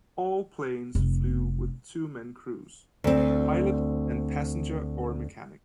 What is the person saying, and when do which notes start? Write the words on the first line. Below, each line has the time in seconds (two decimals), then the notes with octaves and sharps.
All planes flew with two-men crews, pilot and passenger or mechanic.
0.95 F1
3.04 D2 C4